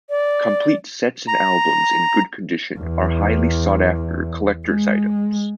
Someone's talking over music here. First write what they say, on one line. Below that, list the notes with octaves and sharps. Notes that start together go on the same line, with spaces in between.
Complete sets and albums in good condition are highly sought-after collectors' items.
D5
A#5
E2
G#3